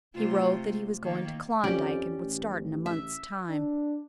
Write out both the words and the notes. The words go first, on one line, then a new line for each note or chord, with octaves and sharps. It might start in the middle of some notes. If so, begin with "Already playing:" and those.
He wrote that he was going to Klondike and would start in a month's time.
C3 A3 F4
D#3 A#3
F2 C#4 G4 D5
A1
E5
D4